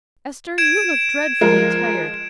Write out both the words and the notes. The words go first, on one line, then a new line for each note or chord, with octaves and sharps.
Ester, you look dreadfully tired.
G#6 D7 E7
F3 G#3 A#4